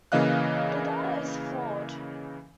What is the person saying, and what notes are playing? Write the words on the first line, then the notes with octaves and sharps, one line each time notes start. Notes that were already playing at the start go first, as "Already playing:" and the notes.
The data is flawed.
C#3 E3 A#3 D#5 F5 F#6